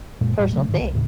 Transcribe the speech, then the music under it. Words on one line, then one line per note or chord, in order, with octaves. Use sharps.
Personal thing.
F#2 A#2 G#3
E1 A2 G3
C#3 E3 F#3 A3
G#2 D3 D#3
C2
D#2 A2 C#3